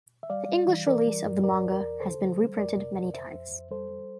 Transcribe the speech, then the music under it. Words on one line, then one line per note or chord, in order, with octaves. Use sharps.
The English release of the manga has been reprinted many times.
E5
G3 D5 F5
G3
E3
E3 A#4 D5
G3
G2
E2 A#4 D5
E2
A#4 D5
E2
D3 A4 C5
D3
G3
F2 A#4 D5
C3
F2
F2 C5 E5
F2
F2
G3 A4 C5
G3